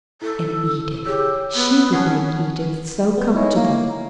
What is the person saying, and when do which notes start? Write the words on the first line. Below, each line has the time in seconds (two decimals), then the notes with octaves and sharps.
And Edith--she would make Edith so comfortable!
0.22 E4 A4
1.06 G4 G#4 C#5 E6
1.55 B3
1.93 C#4 F#5 A5
3.18 B3
3.34 G#3 D#4 E4 C#5
3.56 A#3